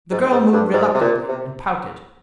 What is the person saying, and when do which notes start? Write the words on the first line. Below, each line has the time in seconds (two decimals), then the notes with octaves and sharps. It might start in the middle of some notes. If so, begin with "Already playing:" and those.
The girl moved reluctantly, and pouted.
0.11 G#2
0.32 G#2
0.53 G2
0.73 G#2
0.94 C3
1.01 A#2
1.28 C3